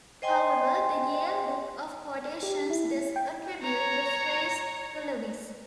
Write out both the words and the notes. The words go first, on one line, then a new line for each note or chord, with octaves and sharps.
However, the "Yale Book of Quotations" does attribute the phrase to Lewis.
C5 D#5 G5 G#5 C6
G4
E4
G5
C#5 A#5